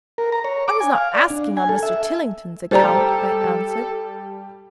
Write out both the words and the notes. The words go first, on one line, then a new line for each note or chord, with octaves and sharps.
'I was not asking on Mr. Tillington's account,' I answered.
A#4
A#5
C#5
D6
G#5
F5
D5
D4
G#5
A4
E5
G3 G4 A4 C5 D5 A#5